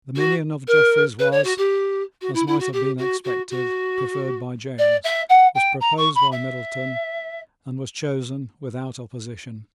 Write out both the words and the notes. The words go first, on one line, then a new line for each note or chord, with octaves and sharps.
The minion of Jeffreys was, as might have been expected, preferred by James, was proposed by Middleton, and was chosen without opposition.
F#4
A#4
B4
C#5
F#4
G4
F#4
E4
E4
F#4
G4
F#4
F#4
F#4
D5
E5
F#5
G5
A#5
C#6
B5
E5